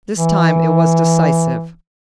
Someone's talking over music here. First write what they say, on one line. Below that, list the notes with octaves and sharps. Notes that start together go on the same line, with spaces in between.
This time, it was decisive.
E3